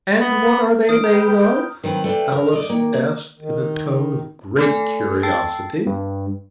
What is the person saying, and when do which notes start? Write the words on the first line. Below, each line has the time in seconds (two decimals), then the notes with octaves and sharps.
'And what are they made of?' Alice asked in a tone of great curiosity.
0.21 B3
0.89 E3 B3 D4 D#6 F6 D7
1.04 B4 G5 A#5 G6
1.21 G6
1.84 D#3 F#3 C4 B4
2.04 A3 D4 G4
2.32 A#4
2.53 D5 D#5
2.70 D#3 A#3
2.94 A#3
3.39 D#3
4.59 A3 A4 G#5
5.23 G5 A5 E6 A6 C7
5.87 G2